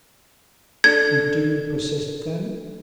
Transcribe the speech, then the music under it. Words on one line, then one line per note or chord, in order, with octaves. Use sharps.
"You do persist, then?"
D4 A4 G#6